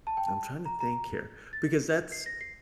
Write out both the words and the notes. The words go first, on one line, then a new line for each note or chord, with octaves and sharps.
I'm trying to think here, because that's
A5
G5
A5
A#5
A#5
A6
C7
A#6
C7